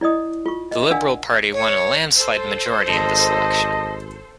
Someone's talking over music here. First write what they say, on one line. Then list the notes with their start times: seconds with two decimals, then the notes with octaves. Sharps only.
The Liberal Party won a landslide majority in this election.
0.01 E4 D5 D#5 D#6
0.46 F4 C#6
0.71 D#5
0.91 D4 A#4 D5 F5 F#5 G#5
1.53 C#5
2.14 A4 C5 C6
2.88 G#1 D#5 A5